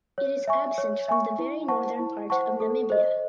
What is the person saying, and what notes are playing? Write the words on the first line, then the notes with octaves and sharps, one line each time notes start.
It is absent from the very northern part of Namibia.
C#5
E5 G#5 C#6
C#5
E5 G#5 C#6
E4
C5 F#5 A5 C#6
E4
C5 F#5 A5 C#6
A4
C5 D#5